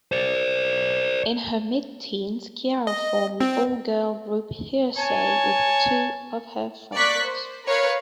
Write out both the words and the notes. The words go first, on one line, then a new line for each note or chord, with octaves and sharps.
In her mid-teens, Ciara formed the all-girl group Hearsay with two of her friends.
C5 D5
D#5
C4
C#5 G#5 A5
A#3 D5 C#6 F#6 B6
C5
A#4 B4 C#5 F5